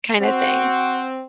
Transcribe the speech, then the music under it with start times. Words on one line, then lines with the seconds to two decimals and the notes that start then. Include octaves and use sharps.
kinda thing.
0.21 C4 F#4 F#5